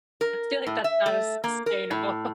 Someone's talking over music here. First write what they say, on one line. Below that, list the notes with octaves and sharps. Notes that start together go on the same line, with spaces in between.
feel like that's not as sustainable,
A#4
A2
E5
A3
A#3
A#4
A2